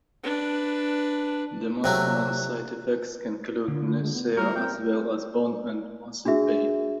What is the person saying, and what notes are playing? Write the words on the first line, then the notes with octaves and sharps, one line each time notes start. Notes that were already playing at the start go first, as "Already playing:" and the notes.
The most common side effects include nausea as well as bone and muscle pain.
D4 B4
C3 F#3 A3
D3 F4
G#3
B3
G3 F#4 A#4 C5
C4 G5
D4 F#4 G#4 E5